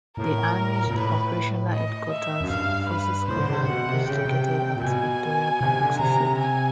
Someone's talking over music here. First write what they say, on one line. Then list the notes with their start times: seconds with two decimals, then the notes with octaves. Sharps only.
The Army's operational headquarters, Forces Command, is located at Victoria Barracks in Sydney.
0.17 A2 A#4
0.88 A#2
0.94 A2 B4
1.73 D#5
2.11 E5
2.41 F#2
2.49 G2 F5
2.89 B4
3.28 A2 C5
3.37 D3
3.47 C#3
3.57 C3
3.66 B2 F#5
3.87 C3
4.05 C#3 G5
4.25 C3
4.76 A#2
4.82 B2 G#5
5.61 C3
5.80 D3
5.99 C3 A#5
6.38 G#5